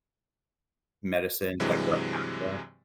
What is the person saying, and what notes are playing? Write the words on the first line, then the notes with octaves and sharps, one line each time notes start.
medicines like Repatha
G2 C3 E3 F#3 G#3